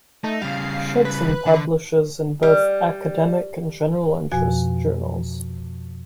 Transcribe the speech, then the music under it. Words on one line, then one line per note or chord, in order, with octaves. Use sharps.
Schudson publishes in both academic and general-interest journals.
A3 D#4
C#3 G3 F5
B4
D3
G3
F2 B2 F3 F#4 G#5